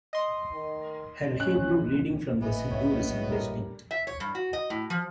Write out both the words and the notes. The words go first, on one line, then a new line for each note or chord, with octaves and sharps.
Her Hebrew reading from the siddur is indistinct.
D#5 C6
D#3
C#4 F#6
G#1 E3 B3 D#5
C2 A2 C#3 C#5 E5
A#1 F3 F#3
A#1 G2 A#2 D3 G3 A#4
E5
C#5
G2
F#4
D#5
A2
F3